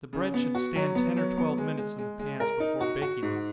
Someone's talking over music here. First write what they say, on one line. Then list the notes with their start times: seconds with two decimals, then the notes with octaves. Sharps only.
The bread should stand ten or twelve minutes in the pans before baking it.
0.13 C#3
0.34 B3
0.55 F#4
0.76 F#3
0.95 B3
1.17 F#3
1.38 B3
1.58 G#3
1.78 G#3
1.98 G#3
2.19 G#3
2.40 A#4
2.60 D#4
2.81 F#4
3.02 F#4
3.23 G#2